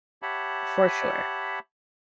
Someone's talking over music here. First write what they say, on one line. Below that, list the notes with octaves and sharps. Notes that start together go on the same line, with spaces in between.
For sure.
G4 C#5 E5 F#5 A5 B5